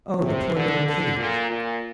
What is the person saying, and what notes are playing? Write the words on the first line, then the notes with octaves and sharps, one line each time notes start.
Oh, the poor little kitty!
C3
D3
D3
A#2
A#2